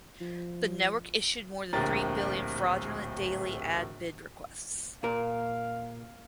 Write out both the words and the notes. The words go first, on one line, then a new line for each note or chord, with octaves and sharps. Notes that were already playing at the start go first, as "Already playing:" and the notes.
The network issued more than three billion fraudulent daily ad bid requests.
F3
D1 A#1 A2 G4 A#4 A6
A#2 A#4 F5